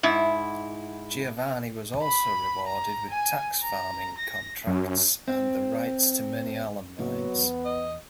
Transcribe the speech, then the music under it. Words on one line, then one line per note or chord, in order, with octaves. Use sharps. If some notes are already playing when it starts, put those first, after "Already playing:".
Giovanni was also rewarded with tax-farming contracts and the rights to many alum mines.
G#2 E4
B5
A#5
G#5
A#5
A#6
F#2
C4
A2 C#3 F#3 A#3 B3
E2
D#5